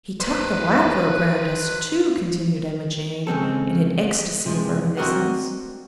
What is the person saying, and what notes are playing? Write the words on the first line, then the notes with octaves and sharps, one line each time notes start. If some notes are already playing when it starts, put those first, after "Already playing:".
"He tucked the lap robe round us, too," continued Emma Jane, in an ecstasy of reminiscence.
B4 C5
C#3 G#3 C4 A4
C3 F3 G#3
C4 D4 F#4 A#4 D#5 F#5